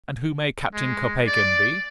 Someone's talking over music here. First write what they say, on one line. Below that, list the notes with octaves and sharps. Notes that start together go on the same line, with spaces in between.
"And who may Captain Kopeikin be?"
G#3
D5